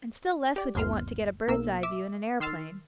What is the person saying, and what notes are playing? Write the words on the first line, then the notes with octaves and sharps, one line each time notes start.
And still less would you want to get a bird's-eye view in an aeroplane.
G4 D5
G1 D#2 B2 C6 F6
B1 A#3 A#4 E6
E5 D6 E6
D#3 C6 E6 F6 A6 C7